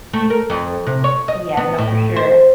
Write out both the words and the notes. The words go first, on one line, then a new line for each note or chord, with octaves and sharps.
Yeah, no, for sure.
A3
A#4
F2
C3
C#5
D#5
B3
A2
C5